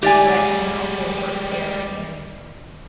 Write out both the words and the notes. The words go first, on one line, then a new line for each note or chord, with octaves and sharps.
But I had also worked there and
G3 G#3 G4 D5 G#5